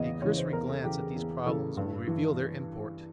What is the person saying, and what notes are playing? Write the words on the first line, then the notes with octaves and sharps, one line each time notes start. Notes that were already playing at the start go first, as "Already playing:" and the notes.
A cursory glance at these problems will reveal their import.
Already playing: E2 C#3 E3 D#5
C#3 E3 C#5
C5
E2 A#4
A4
C#3 E3 G4
G#4
E2 G#4
C#3 E3 A4
G2
E3